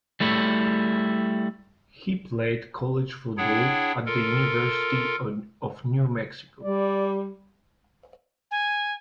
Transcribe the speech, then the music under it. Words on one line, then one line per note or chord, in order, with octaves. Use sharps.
He played college football at the University of New Mexico.
G3 A3 E4
D4 E4 G#4 C#5 F#5 G5
F4 A4 A#4
G3 D5
G#5